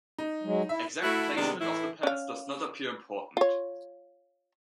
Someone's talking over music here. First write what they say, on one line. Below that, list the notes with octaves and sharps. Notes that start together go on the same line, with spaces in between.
Exact placement of the pads does not appear important.
D#4
F#3 G#3
E4 E5
A3 E4 F#4
C3 D#3 G3 G#3 B3 D4
A2 E3 E4
C#4 F5
F4 C#5